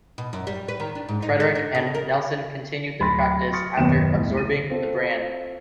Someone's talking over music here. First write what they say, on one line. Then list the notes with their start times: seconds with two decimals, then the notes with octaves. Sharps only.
Frederick and Nelson continued the practice after absorbing the brand.
0.18 B2
0.33 F#2
0.47 G3
0.68 B4
0.80 D#3
0.95 D4
1.09 G#2
1.22 D#4
1.40 A4
1.55 D4
1.75 C#3
1.95 A#4
3.00 D1 B5 C6 A6 A#6
3.52 C6 C#6 D#6 F6 A6 C#7
3.77 F#1 D#2 B2 D#3 B3 E7
4.14 C2 A2
4.37 D#7
4.70 C4 F4 A4